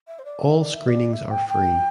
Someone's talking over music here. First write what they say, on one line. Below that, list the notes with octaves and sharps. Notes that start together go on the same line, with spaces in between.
All screenings are free.
E5
C5
D5
E5
D5
E5
D5
E5
G5
G5